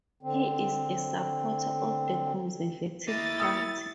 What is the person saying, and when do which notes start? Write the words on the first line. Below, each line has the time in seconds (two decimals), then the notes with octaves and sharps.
He is a supporter of the Conservative Party.
0.23 D3 C4
3.08 A#3 E4 D#5 A6
3.40 D#6 E6 C#7